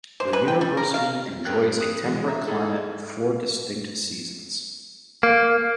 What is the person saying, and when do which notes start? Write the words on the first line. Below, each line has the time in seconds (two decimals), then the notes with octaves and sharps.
The university enjoys a temperate climate with four distinct seasons.
0.20 C5
0.33 B4
0.48 G5
0.61 G3
0.77 A#4
0.94 F5
1.45 G2 C4 G#4 A#4 G5 F#6
1.79 D#6 F#6
2.03 E3 F#3 G#3
2.28 E5 A#5
2.47 D#4 E4 G#4 A4
5.23 A#3